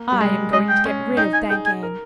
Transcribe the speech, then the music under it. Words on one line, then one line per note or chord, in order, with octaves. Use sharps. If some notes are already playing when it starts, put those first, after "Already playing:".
'I am going to get rid of Thakane.'
Already playing: A#3
G3
G#3
G#3 D#5
G5
C#4
D#4 G5
G#5
G#4 G5
G#5
A#4